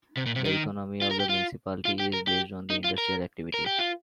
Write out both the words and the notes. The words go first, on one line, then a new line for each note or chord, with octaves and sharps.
The economy of the municipality is based on the industrial activity.
C3
A#2
C3
D#3
F4
A#4
G4
F4
F4
G4
A#4
G4
D#4
F4
A#4
A#4
G4
F4